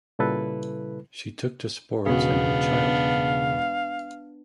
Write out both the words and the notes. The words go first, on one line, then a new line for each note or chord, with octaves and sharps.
She took to sports in her childhood.
A#2 C#3 G3 E4 A4 B4
E1 C#3 B3 D4 F#4 G#4 F5